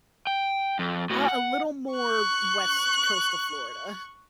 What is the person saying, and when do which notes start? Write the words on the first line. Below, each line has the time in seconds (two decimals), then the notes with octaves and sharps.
Uh, a little more West Coast to Florida
0.27 G5
0.79 F2
1.10 A2 F#4
1.28 F#5
1.94 C#6 F#6